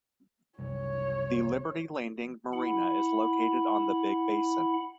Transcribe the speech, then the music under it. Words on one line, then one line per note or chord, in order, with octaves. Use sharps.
The Liberty Landing Marina is located on the Big Basin.
F#1 C2 C#5
E4 F#5 B5